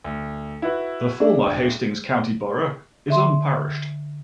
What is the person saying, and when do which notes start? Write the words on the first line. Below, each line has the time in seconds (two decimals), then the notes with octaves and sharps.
The former Hastings County Borough is unparished.
0.04 D2
0.62 E4 F#4 B4
1.20 D4
1.46 D#1 G5
3.08 D3 E5 C6